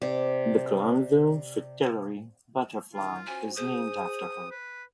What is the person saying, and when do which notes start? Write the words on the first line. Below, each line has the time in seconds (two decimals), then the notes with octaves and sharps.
The Glanville fritillary butterfly is named after her.
0.02 C3 D5
2.93 G2 D3 D#3 F4
3.26 C#4 F#4 C5 G#5
3.56 G#4 C5 D#6
4.51 B4